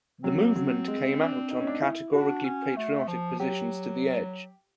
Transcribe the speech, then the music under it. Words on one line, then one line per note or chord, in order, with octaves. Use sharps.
The movement came out on categorically patriotic positions to the edge.
F#3 C4
F#3
G#3
D4
D#4
C#4
D4
D#4
E4
D4 F#4
C#4
A3
F3
F#3 G4